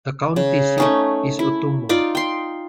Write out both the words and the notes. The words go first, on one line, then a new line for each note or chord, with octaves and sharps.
The county seat is Ottumwa.
C#3
A3 C#4 D#4
E4
D#4 F4 D5
G5 C6